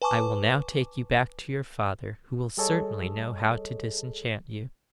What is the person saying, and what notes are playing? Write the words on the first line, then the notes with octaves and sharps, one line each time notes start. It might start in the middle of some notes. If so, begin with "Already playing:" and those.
I will now take you back to your father, who will certainly know how to disenchant you.'
B4 G#5 A5 C#6 D6
G3 G#4 A4 C#5 D#5